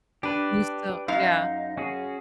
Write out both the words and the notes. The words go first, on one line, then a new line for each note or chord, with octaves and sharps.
You still Yeah.
D4 G4 B4
F#2 D#4 F5
C#4 F#4 G#4